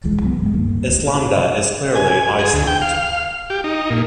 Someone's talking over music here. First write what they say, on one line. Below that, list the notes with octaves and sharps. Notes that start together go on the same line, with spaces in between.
"Islanda" is clearly Iceland.
E1 C2 E3 G#3
F#2 F#3 B3
F#1 E2 G#2 G#3
D1 G2 D#3 A#3
D1 A2
G#5
G#4
D2
G5
F5
G4
D#4
A#2